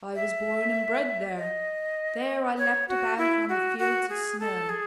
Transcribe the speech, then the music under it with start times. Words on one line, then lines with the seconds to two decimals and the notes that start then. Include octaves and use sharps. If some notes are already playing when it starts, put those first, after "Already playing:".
"I was born and bred there--there I leapt about on the fields of snow."
0.15 E5
1.37 D#5
2.58 C#5
2.88 F#4
3.18 E4
3.49 F#4
3.79 F#4
4.09 G#4
4.40 A4
4.69 G#4